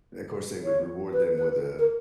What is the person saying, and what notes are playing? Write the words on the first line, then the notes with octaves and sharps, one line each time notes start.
of course, they would reward them with a
C#5
B4
B4
A#4